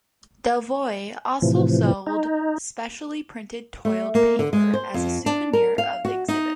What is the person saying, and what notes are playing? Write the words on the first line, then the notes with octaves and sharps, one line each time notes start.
Delvoye also sold specially printed toiled paper as a souvenir of the exhibit.
A2 C3 E3 F3
D#4
A3
A#3
D3
G#3
C5
F2
D4
A#4
F5
F#4
D#4